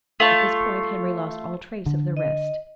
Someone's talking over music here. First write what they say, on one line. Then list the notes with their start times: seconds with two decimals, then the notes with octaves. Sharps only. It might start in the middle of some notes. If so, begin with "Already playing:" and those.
At this point Henry lost all trace of the rest.
0.20 A3 F4 C#5 A5
1.86 D3
2.17 D#5